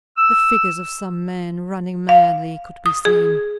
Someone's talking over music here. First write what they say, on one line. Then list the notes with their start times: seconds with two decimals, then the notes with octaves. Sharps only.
The figures of some men, running madly, could be seen.
0.17 E6
2.09 F5
2.86 D#6
3.05 G#4